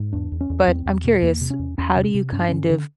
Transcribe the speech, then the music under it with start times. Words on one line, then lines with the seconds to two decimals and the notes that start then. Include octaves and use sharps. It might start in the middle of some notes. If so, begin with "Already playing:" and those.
but I'm curious, how do you kind of
Already playing: G#2
0.13 E2 D4
0.32 E2
0.41 C#4
0.50 E2
0.67 E2 C4
0.86 E2
1.04 B2
1.22 E2 A#3
1.41 C3
1.50 C#4
1.59 E2
1.78 E2 C#4
1.96 C3
2.14 C3
2.32 G2 C#4
2.41 D4
2.48 D3 C#4
2.70 D3